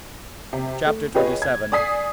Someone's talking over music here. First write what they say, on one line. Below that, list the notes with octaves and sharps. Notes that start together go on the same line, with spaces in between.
Chap. XXVII.
C3
A3
F4 G4 G#4 B4 C#5 D#5
G#6
D5 G#5 D#6 B6 C7